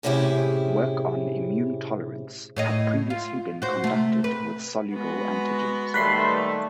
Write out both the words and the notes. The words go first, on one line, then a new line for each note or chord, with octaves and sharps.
Work on immune tolerance had previously been conducted with soluble antigens.
A2 C3 C#4 E4 G4 G#4
A2 C#5 D#5
F4
F#4 C5
C3 A3
B4
G#3 B3 F#4
D#2 G3 A3 B4 B5 C6